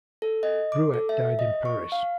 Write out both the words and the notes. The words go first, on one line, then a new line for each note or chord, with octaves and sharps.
Ruwet died in Paris.
A4
D#5
D6
A4
E5
D#5
C#6
F5